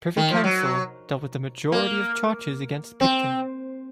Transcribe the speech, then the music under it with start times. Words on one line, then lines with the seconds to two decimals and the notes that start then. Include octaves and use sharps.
The Privy Council dealt with the majority of the charges against Picton.
0.17 D#3
0.31 F3
0.44 F#3
1.72 A#3
3.01 C4